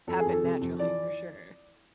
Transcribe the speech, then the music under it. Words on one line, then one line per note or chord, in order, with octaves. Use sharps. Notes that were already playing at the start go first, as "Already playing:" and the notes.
happen naturally for sure.
F2 A4
G#4
F2
A4
C3
F2
E3 D5